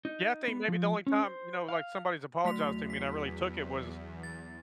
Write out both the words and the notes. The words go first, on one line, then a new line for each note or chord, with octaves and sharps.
Yeah, I think maybe the only time, you know, like, somebody's apologized to me and I really took it was
D#4
B3
F3
C#4
C5
F5
E2 F#3 A3 B6 F7
B6
A6